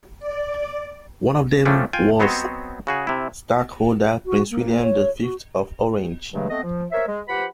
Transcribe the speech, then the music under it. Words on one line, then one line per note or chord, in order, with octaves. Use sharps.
One of them was stadtholder-prince William the Fifth of Orange.
D5
F3 G3 A3 C#4 D4
F4 G5 G#5
F#3 B3 C4 C5 C#5 D#5
C#3 F#4 G#4
C3 E4
F#4
A#3
C#5
F#4
G2 C#3 E3 F#3 G#3 A3
A3 B3 C4 D#5
F3
A#4 C5 C#5 E5
G#3
F3 G4 B4 C5 F#5 B5